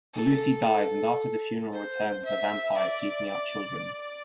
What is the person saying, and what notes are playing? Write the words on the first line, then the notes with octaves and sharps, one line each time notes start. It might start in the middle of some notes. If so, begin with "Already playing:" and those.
Lucy dies and after the funeral returns as a vampire seeking out children.
A4
C5
E5
D5